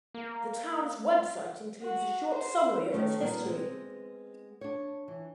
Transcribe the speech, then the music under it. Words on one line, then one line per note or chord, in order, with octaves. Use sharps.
The town's website includes a short summary of its history.
A#3
F#4
C5
D#3 A3 C#4
A#2 G3 A#3 B3 D#4
G#3 B3 C4
D4 C#5
E3